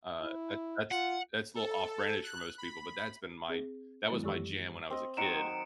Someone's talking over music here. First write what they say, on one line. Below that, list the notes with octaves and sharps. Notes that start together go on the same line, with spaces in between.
uh, that that's, that's a little off-brandish for most people, but that's been my that was my jam when I was a kid,
E4
F4 F#5
A4
F#6
B5
C4 G#4
D#3 F#3 G#3 B3 E4
F#2 E3 G4 A4 C#6 E6
C4 D#5
D#3 F#3 C#7 D7 E7